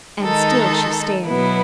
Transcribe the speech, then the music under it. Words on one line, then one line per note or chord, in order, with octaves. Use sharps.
And still she stared.
D#3 G#3 D#4 A4
B2 F#3 B3 E4 B4